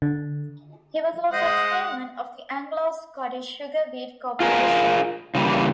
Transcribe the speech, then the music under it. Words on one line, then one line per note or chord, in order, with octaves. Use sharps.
He was also chairman of the Anglo-Scottish Sugar Beet Corporation.
D3
G#3 C5 D#5 F#5
F4 G#4 A#4
C#3 E3 G3 A#3